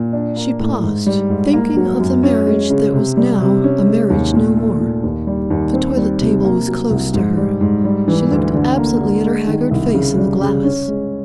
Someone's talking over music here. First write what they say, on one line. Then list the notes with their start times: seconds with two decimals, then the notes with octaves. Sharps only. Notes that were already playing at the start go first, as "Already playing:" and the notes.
She paused, thinking of the marriage that was now a marriage no more. The toilet-table was close to her; she looked absently at her haggard face in the glass.
Already playing: A#2
0.13 D4
0.36 A#3
0.60 A2
0.83 G#2
1.06 G3
1.30 G#2
1.53 A#3
1.77 F#3
2.00 F#2
2.23 C#4
2.47 G#3
2.70 C#3
2.93 C3
3.17 G3
3.40 C3
3.64 C#4
3.87 G#3
4.10 D#2
4.34 A#2
4.57 A3
4.80 A#2
5.03 D#2
5.27 G3
5.50 D#2
5.74 C4
5.97 G3
6.20 C3
6.44 A#3
6.68 F#3
6.91 C2
7.14 G#2
7.37 G3
7.61 G#2
7.84 G3
8.08 E3
8.31 D2
8.54 D3
8.77 A#3
9.01 D3
9.24 G#3
9.47 D#3
9.71 C2
9.94 C#3
10.18 G3
10.41 C#3
10.64 C#4
10.88 G#3